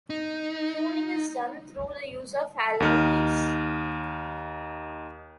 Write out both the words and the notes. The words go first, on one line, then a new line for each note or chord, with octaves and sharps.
Tuning is done through the use of Allen keys.
D#4
D#2 D#4 F6